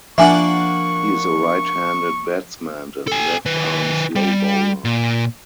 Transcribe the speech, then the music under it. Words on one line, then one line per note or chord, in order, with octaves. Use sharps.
He is a right-handed batsman and left-arm slow bowler.
F3 A#3 D4 E5 F#5 G#5 C#6
A4 G#5
D#3 B4
G3
A#2